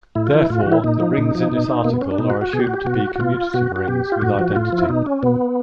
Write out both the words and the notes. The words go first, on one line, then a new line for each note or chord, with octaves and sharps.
Therefore, the rings in this article are assumed to be commutative rings with identity.
A2 E4
F4
E3 E4
A2 F4
F#4
E3
E4
A#2 D#4
F3
A#2
F3
B2
B2 A#3
B3
C#4
D4
B2 D#4
F#4
F#4
B2 G#4
G4
F#4
G4
B2 F#4
F#4
B2 F4
B2 F#4
F#4
B2 G4
F4
A2 F#4
F3
A2 F4
F3
E4
B2 D#4
C#4
B2 B3